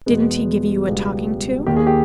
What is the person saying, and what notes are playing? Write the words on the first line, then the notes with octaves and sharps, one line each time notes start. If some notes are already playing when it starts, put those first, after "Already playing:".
"Didn't he give you a talking to?"
E2 B2 G#3 B3
C#2 B2 G3 B3
D#2 D#3 A#3 G4
G#4
G4